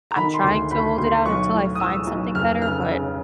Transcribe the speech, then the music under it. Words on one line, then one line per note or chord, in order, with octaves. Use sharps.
I'm trying to hold it out until I find something better, but
A#5
D#3 B5
C6
D2
D2 B5
D2 C6
B1 C#6
A2
D#6
E3 E6
B1
F1 F6
C#3 F6
C#3